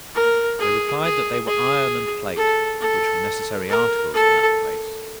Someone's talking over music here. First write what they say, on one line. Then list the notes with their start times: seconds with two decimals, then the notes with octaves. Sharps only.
They replied, that they were iron and plate, which were necessary articles in that place.
0.15 A#4
0.59 G#4
1.03 G#4
1.47 G#4
2.36 A4
2.80 A4
3.69 A#4
4.13 A4